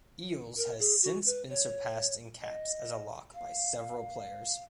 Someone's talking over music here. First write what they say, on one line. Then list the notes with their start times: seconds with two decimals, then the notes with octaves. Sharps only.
Eales has since been surpassed in caps as a lock by several players.
0.57 A#4
0.79 G#4
1.03 F#4
1.26 B4
1.49 C#5
2.42 D#5
3.34 F5